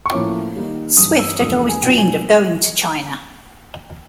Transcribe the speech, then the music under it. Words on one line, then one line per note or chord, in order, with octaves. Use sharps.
Swift had always dreamed of going to China.
C#6
A2 F3 A#3 C#4 E4 D6
D#3 G3 A#3 D#4
G2 E3 G3 D#6
E6
E2 C3 F3 A3 D4 D#6
G#5
B2 F#3 A#3 D4 F4 G5
G#5